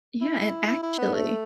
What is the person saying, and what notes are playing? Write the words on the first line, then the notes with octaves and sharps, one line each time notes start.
Yeah. And, actually"
E4
E4
E4
B3
A3